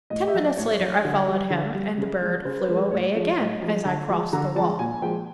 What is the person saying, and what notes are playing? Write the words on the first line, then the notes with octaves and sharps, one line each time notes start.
Ten minutes later I followed him, and the bird flew away again as I crossed the wall.
A2 D#5
E5
F#3 D#5
D5
A2 C#5
F#3
D3
G3
D3
G3
C#3
F3 G#3
C#3 C5
B4
F3 G#3
B4
A2 C#5
F3 G#3
A2 D#5
F3 G#3
D3 A5
F3 G#3
D3 A#5
F3 G#3 A5
A#2 G#5
F3 G#3 G5